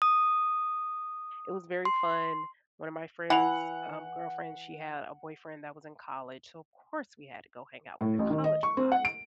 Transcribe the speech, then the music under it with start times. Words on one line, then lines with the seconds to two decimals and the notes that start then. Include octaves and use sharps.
It was very fun. One of my friend's, um, girlfriend, she had a boyfriend that was in college, so of course we had to go hang out with the college guys.
0.02 D#6
1.85 C6
3.30 E3 F#5 F7
8.01 A2
8.19 A1
8.30 D#3
8.44 D#5
8.63 C#6
8.77 C4
8.92 F#5
9.05 D7